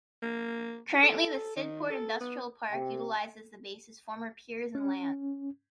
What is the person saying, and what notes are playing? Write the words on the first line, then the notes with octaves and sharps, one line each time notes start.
Currently, the Sydport Industrial Park utilizes the base's former piers and land.
A#3
A4
D#3
A4
B3
C3 G5
C#4